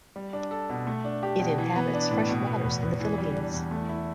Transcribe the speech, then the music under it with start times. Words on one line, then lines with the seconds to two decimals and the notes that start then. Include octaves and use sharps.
It inhabits freshwaters in the Philippines.
0.16 G3
0.33 D4
0.51 A4
0.69 B2
0.87 A3
1.04 D4
1.23 G4
1.39 B2
1.58 E3
1.76 B3
1.94 D4
2.11 A2
2.29 B2
2.47 B3
2.64 E2
2.82 E2
3.00 E3
3.18 G3
3.36 D4
3.54 E2
3.71 A3
3.89 E4